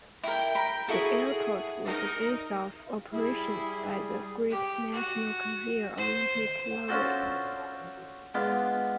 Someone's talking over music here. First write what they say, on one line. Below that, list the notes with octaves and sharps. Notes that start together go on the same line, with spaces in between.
The airport was the base of operations by the Greek national carrier Olympic Airways.
E4 A#4 G5
A#4 B5
E4 F#4 G#4 A4
D#4 A#4
G3 E4 G#4
G4
F#4
C5
C#4 D4 F4 F#4 A4 C5
G#3 B3 D4 F4